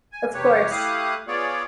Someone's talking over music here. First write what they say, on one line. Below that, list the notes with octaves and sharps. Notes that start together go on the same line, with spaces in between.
of course.
G#5
E2 C3 G4 B4 C#5
A3 E4 G4 F5 D#6 F#6
B3 F4 G#4 C#5 D5